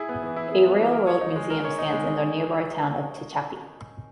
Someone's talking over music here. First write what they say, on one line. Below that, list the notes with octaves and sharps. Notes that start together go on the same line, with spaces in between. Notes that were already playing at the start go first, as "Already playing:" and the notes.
A railroad museum stands in the nearby town of Tehachapi.
Already playing: E4 G#4
B3
E3
E4
G#4
B3
E3
A#4
C#5
D#4
G#3
A#4
C#5
D#4
G#3